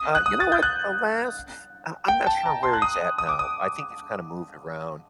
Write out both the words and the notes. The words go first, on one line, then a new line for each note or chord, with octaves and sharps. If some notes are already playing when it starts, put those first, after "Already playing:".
Uh, you know what? The last uh, I'm not sure where he's at now. I think he's kinda moved around.
Already playing: D#6
F#6
D#6
A6
G6
F#6
G5
A5
A#5
C6
F#6
D#6
D#6
D6
D#6